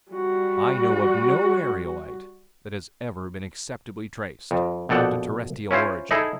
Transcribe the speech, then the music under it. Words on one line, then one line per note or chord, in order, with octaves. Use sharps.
I know of no aerolite that has ever been acceptably traced to terrestrial origin.
G3 F#4
F2
A#1 B2 A4 D5 F#5 G5
C#4 E4 F4 C5
D#4 E4 G#4 A4